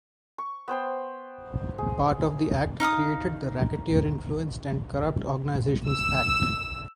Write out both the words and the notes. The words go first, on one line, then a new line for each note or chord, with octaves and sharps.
Part of the Act created the Racketeer Influenced and Corrupt Organizations Act.
C#6
B3 C5 G5 C6
G#4
D#4 F5 G5 D#6
E6